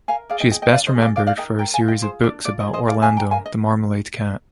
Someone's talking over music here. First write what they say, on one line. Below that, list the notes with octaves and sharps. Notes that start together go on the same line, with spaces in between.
She is best remembered for her series of books about Orlando the Marmalade Cat.
A#4 F5 G#5
G#4 D5 F5
D#5 G5
G#4 D#5 G5
D#5 G5
D4 D5 F5
C5 D#5
G#4
D5 F5
D#4 D5 F5
D5 F5
A#4 D#5 G5
A#4 G5 A#5
F5 G#5
F4
D#5 G5
G#4 C5
D4 D5
F4 D5
C5 D#5
G#4
C5 D#5
G#4 D5 F5
F5 G#5
D4
G5 A#5
A#4 F5 G#5
D#5